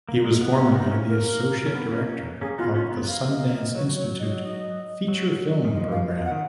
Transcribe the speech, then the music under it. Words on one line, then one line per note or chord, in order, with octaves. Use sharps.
He was formerly the associate director of the Sundance Institute Feature Film Program.
A#3
G#3
B3
A#3 C#4
B3 D#4
A#3 C#4
A#3 A#4
C#4
B3
A#3 C#4
A#3 C#4
A#3 C#4 G#4
B3 D#4 F4
A#3 C#4 F4
B3
B3
A#3 F5
D#5
D#5
F#3 C#5
C#5
D#5
D#5
F#3
D#3
F3 D#5
F5
D#5
F#5
D#3